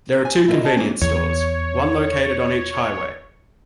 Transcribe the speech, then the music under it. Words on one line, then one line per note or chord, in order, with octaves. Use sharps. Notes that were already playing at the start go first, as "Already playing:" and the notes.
There are two convenience stores, one located on each highway.
G#5
E4 F4 A#4 D5 D#5
F#4 D#5 A5
E3 G#3 A#3 C4 C#4
E2 C#5